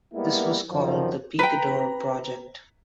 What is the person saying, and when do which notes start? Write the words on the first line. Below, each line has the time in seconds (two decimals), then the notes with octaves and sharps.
This was called the Picador project.
0.14 G3 G#3 A#3 B3 E4
0.70 F#2 D3 D#3 F3
1.39 B4 G5 A#5 B5 B6